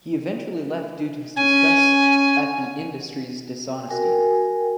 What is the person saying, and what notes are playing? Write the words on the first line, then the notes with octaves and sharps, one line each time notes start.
He eventually left due to his disgust at the industry's dishonesty.
C#4 G#5
F#4 A#4 G5 G#5